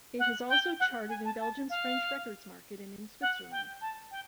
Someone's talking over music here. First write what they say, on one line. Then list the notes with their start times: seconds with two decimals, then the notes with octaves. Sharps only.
It has also charted in Belgium's French records market and in Switzerland.
0.19 F#5
0.49 G5
0.80 F#5
1.09 G#5
1.25 A5
1.40 A5
1.70 F5
3.22 F#5
3.52 G5
3.81 A5
4.11 G5